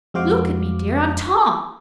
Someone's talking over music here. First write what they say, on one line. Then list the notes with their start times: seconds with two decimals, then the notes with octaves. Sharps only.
Look at me, dear--I'm Tom.
0.14 F2 G#3 F#4 C5 F5 D6